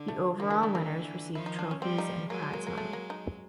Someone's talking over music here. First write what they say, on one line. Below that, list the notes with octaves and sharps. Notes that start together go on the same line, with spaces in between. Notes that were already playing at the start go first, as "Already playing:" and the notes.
The overall winners receive trophies and prize money.
Already playing: D3
A3
D3 E3 A#3
A#3
A3
A#3
D#3 F3 E4
D#4
D4
C#4
F3 G3 C4
D#4
F#3 G#3 A#3
A3
A#3
A#3
A3
A#3
D#4